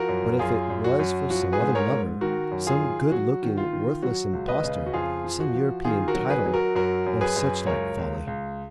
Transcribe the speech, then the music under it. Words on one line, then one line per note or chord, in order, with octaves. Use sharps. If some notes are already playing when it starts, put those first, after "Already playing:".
But if it was for some other lover, some good-looking, worthless impostor, some European title or suchlike folly--!
Already playing: F3 F#4 A#4
F#2
F#2 F4 G#4
F#2
F#4
F#2
F3 F#4
G#4 B4
G#2
A#4 C#5
G#2
D#3 F#4 A#4
F#2
F4 G#4
D#3
F#3 F#4
D#3
F4
D#3
F#3 F#4
C#2
B4 D#5
C#3
F#4
F2 F4 G#4
F3
F#4
F3
D#3 F4 G#4
F#4 A#4
F#3
G#4 B4
F#3
F#4 A#4
F#2 F#4 A#4
F#2
G#4 B4
F#2
C#2 A#4 C#5
C#2
C#2